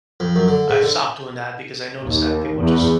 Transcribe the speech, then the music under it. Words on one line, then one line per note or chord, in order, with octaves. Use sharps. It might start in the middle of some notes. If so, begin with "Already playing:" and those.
I've stopped doing that because I noticed that people just
F2
F#2
D3
G#2
D3
D#2
E2